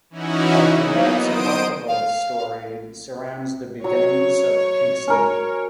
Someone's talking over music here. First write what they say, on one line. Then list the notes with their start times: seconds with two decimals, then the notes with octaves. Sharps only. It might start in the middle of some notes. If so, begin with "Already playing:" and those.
A perhaps apocryphal story surrounds the beginnings of Kincsem.
0.10 E3 C#4 D#4 E4 F#4
0.80 F#3 A#3 B3 D#4
1.23 C5 D#6 D7
1.88 F5
3.84 F#3 C#5
5.08 C#4 A#4